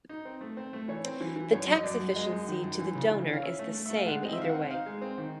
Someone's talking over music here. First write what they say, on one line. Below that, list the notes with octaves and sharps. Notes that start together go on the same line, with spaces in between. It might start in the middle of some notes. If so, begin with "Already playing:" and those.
The tax efficiency to the donor is the same either way.
D#4
C4
A3
C4
A3
E3 C#5
C4
E3
E3
F#2 C#5
F#2
D#5
F#2 D5
F#2
G#3 D#5
F#2
D#3
F#2
E3
C#3
E3
C#4
F5
C#4 E5
A3
A3
A3 E5
F5
G#3 F#5
C4 D#5
E5
D#3 F5
F#5
C4
D#4 F5
G#3
C4
D#3